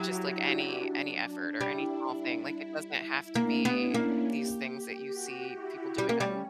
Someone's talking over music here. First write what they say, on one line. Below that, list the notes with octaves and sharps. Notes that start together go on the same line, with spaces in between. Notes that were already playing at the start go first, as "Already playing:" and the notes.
just, like, any any effort or any small thing. Like, it doesn't have to be these things that you see people doing on
Already playing: F#3 E4 F#4 G4
D4
G3 E4
A#3 D4
B3
C#4
A#3
G4
G4
F#4
E4
G3 C#4
A#3
G3